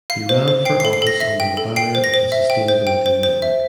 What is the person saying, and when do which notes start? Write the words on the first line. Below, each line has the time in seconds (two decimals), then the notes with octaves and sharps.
He ran for office under the banner of the Sustainability Network.
0.10 F5 C7
0.29 C5
0.48 C5
0.65 G5 C7
0.80 C7
0.85 A4
0.93 C7
1.02 A4 A#6
1.20 E5 A#6
1.40 G5
1.57 A4
1.76 G5 C7
1.95 C5
2.04 A#6
2.14 C5
2.32 E5
2.50 G5
2.68 C5
2.87 G5
3.06 C5
3.23 C5
3.42 E5